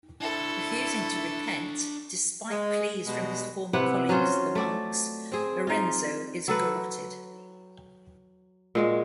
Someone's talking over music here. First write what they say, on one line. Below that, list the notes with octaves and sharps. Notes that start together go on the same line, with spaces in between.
Refusing to repent, despite pleas from his former colleagues the monks, Lorenzo is garrotted.
D4 E4 A4 C5
G#3
B2 G3 G#3
C3 B3 E4 F#5
F#3 C#4 F4 C5
A3 D5
C4 G#4
D#4 F4
F#3 A4 B4
A#2 G#3 F#4